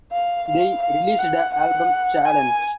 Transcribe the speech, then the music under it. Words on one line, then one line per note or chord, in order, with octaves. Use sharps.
They released the album Challenge!
F5
F5
F5
F#5
F#5
G#5